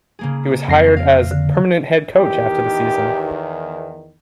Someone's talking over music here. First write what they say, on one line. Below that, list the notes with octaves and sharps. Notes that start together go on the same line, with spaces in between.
He was hired as permanent head coach after the season.
C#3 A#3 G#4
F2 A#6 C7
F5
D3
E2 D#3 G4